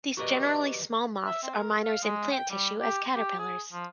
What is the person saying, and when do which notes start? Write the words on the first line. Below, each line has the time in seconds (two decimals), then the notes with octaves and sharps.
These generally small moths are miners in plant tissue as caterpillars.
0.17 F#4 G4 A#4 B4 D5 D#5
1.26 E5
1.43 C4
1.56 A#4
1.84 F5
2.03 G#3
2.31 G5
2.50 G3
2.81 G4
3.16 G4
3.39 G#4
3.73 F3